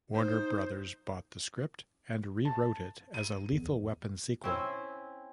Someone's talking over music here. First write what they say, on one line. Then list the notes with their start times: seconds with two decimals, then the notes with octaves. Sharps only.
Warner Brothers bought the script and rewrote it as a "Lethal Weapon" sequel.
0.15 D#4 C5
2.45 A5
3.14 D#7
3.53 E2
4.44 C4 C#4 E4